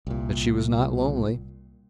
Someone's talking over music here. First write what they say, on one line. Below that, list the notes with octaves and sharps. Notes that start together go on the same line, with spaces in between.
But she was not lonely.
C2 A#2